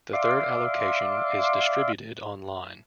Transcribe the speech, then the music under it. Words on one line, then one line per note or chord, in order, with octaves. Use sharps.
The third allocation is distributed online.
D5 E5 F5 C6 D6